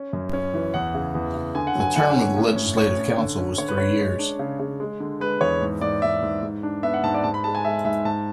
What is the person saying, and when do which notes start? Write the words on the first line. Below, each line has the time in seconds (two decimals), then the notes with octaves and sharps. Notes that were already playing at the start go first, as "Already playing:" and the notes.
The term of the legislative council was three years.
Already playing: C#4
0.13 F#2
0.33 C#4
0.54 E3
0.74 E2 F#5
0.94 C#3
1.15 E2
1.34 C#3
1.55 D3 G#5
1.67 F#5
1.75 F#3 G#5
1.96 D3 F#5
2.16 C#4
2.37 A2
2.56 C#4
2.77 A2 C#5
2.97 C#4
3.18 D3
3.38 C#4
3.58 D3 C#5
3.68 B4
3.78 C#4 C#5
3.99 G#3
4.19 D4
4.39 C#3
4.59 C#3
4.80 G#3
5.00 D3
5.20 G#3 B4
5.41 E2 C#5
5.61 G#2
5.81 G#2 D5
6.02 G#2 E5
6.22 G#2
6.43 G#2
6.63 D4
6.83 B3 E5
6.94 F#5
7.04 G#2 A5
7.14 D5
7.24 G#2 A5
7.34 B5
7.44 G#3 A5
7.55 G#5
7.65 G#3 E5
7.85 G#2 E5
8.05 G#2 A5